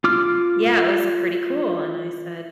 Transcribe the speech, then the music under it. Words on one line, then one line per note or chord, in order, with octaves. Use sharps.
Yeah. It was pretty cool, and I said,
F4 D6 F6